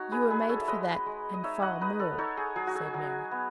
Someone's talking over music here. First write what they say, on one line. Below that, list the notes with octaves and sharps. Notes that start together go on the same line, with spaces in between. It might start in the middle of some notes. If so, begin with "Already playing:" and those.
"You were made for that, and far more," said Mary.
Already playing: G#3 D#4 F#4 C#5
G#4 B4
D#4 G#4 B4
A4 C#5
E5
G#3 B4 D#5
G#3
D#5
D#4 C#5 E5
D#5 F#5
D#4 B4 D#5
A4 C#5
D#4 A4 C#5
G#4
F#3 G#4
F#4
G#4
F#3
B3